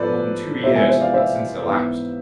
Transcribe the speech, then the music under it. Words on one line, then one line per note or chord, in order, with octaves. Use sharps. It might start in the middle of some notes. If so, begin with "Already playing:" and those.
More than two years had since elapsed.
Already playing: G#2 F3 B3 A4 B4 C5 D5
E2 C3 F3 G#3 B3 C5 E5
E5 G#5
C5 E5
D5 F5
C5 E5
G#2 E3 B3